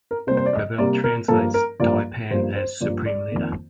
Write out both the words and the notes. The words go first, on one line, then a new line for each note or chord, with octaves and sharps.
Clavell translates Tai-Pan as "Supreme Leader".
A#4
C3 G3 A#3 C5
C5
D5
D#5
C3 G3 A#3 D5
A#4
G2 F3 A#3 A4
A#4
G2 F3 A#3 D5
G2 F3 A#3 C5
C5
G2 F3 A#3 D5
D5
F2 D#3 A#3